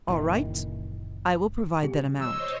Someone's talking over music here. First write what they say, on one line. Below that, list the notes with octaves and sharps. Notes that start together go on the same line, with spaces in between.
"All right, I will provide that amount."
F#1 A#2 D#3 E3
B2 G3 G4
E3 C5 C#5 D#5 E6